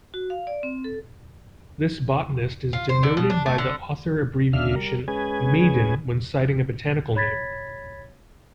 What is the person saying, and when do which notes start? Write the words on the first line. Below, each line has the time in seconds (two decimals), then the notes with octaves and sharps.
This botanist is denoted by the author abbreviation Maiden when citing a botanical name.
0.14 F#4
0.30 F5
0.47 D5
0.63 C4
0.84 A4
2.73 F4
2.89 C5
3.03 D3
3.17 B2
3.30 D4
3.46 A3
3.58 D3
4.53 D#2 C#3 D4 E5 F5 F6
4.75 G3 A#4
5.08 G#3 C#4 G#4 B4 G#5
7.16 C#5 B5 G#6 A6 B6